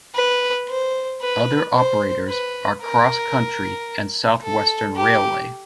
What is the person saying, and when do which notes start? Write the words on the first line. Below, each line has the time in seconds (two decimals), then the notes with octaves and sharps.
Other operators are CrossCountry and South Western Railway.
0.15 B4
0.69 C5
1.21 B4
1.75 C5
2.28 B4
2.82 A#4
4.43 A4
4.96 G4